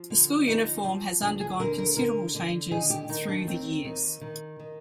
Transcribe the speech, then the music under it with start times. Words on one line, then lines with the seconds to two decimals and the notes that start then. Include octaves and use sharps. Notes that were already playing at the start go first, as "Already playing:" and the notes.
The school uniform has undergone considerable changes through the years.
Already playing: F3
0.10 D3
0.47 F3 D#4
0.84 F3
1.22 D2 D4
1.40 G#4
1.59 D3 A#4
1.78 A#4
1.97 D3 A#4
2.35 D3
2.71 D#3 G#4
2.90 G4
3.09 D#3 D#4
3.28 D4
3.47 D#2 C4
3.85 D#3
4.21 D#3
4.59 D#3